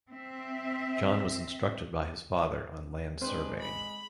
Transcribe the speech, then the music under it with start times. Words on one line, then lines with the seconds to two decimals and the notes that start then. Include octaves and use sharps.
John was instructed by his father on land surveying.
0.11 C4 E5
3.21 G#3 C4 D4 B4 C5
3.60 B5